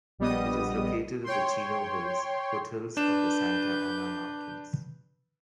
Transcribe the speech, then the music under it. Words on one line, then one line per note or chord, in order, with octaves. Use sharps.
It is located in the Chino Hills, foothills of the Santa Ana Mountains.
A#1 G3 B3 D#5 D#6
C#5 G5 C6
D4 B4 G6 E7